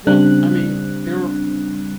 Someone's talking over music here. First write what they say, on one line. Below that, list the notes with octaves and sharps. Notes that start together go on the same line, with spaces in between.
Well, I mean, there
C#3 G3 C4 D4 F#6